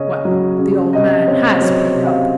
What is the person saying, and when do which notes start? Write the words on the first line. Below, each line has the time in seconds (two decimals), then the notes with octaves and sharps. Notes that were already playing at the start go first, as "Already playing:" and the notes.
Well, the old man has paid up.
Already playing: C#3 C#4 D#5
0.25 F#3
0.59 C#3
0.93 C3 D#5
1.27 C4 C#5
1.50 D#5
1.61 F#3 C#5
1.96 C3
2.07 F5